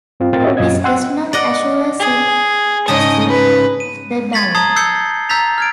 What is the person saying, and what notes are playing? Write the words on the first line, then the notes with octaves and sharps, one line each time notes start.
This does not assure secrecy of the ballot.
G2 C4 F4
A2 C4 F4 A#4 A6
C#4 F#4 G4 C#5 D#5 E5
F#2 A#2 F4 D#5 G#6
F#5 G5 C6 E6 F#6
D5 D#5 F#5
G#4
G#2 C#3 D#5 A5 D#6
B4
D#7
G#6 A6 B6 F#7
A5 A#5 D#6 G#6 C7 G7
E6 G6 C7 C#7 G7
A#5 E6 G6 A6 B6 F7
F6 G#6 D7